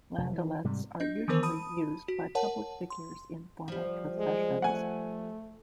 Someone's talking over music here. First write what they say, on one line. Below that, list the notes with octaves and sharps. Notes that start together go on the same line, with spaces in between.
Landaulets are usually used by public figures in formal processions.
F1 C#3
E3
G#2 C3 G3
D4 D#5
D#3 E3 B3 A#4 C5
A5 B5 D#6 D#7
F#4
A#4 C#5 F#5 A5
C6
F3 G3
G#3
A3 F#5 G#5